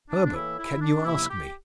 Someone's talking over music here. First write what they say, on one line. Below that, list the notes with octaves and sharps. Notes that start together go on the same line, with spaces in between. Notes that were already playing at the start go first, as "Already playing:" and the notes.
"Herbert, can you ask me?"
D4
D4
A2 E3 A#3 E4
E4
D4
C3 F3 A#3 E4
G4